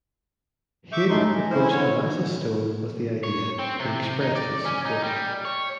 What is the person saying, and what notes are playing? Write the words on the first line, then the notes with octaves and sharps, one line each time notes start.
Haydn approached Amasa Stone with the idea, who expressed his support.
E5 C#6 D6 G6
F#2 A2 A3 D#4 C6
G#3
F2 C#4 E4 C5
D3 C#5
G#2
C#5
C4
C3
D#4
D5
C#4
D#4
G3
C#5